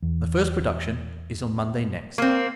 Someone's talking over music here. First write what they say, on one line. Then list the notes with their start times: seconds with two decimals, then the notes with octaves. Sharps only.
The first production is on Monday next.
0.02 E2
2.18 A#3 C4